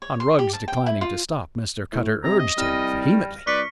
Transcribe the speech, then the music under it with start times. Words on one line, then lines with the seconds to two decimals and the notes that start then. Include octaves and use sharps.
On Rugg's declining to stop, Mr. Cutter urged him vehemently.
0.02 C#5
0.20 C6
0.39 G4
0.53 A5
0.68 G5
0.86 E4
1.01 F4
1.93 A2
2.24 C3 A#5
2.39 D#5
2.58 C2 G3 F6 A#6 D#7
3.47 C2 B4 D5 C#6 B6 C#7